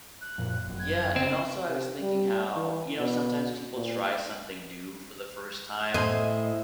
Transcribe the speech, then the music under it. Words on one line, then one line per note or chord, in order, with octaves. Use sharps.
yeah, and also I was thinking how you know, sometimes people try something new for the first time,
F#6
F#2 A#2 F3
G1 F#2
G#6
C#3 C4
C3
G3
E3
B2
A#2
A2 C5 D#5 G#5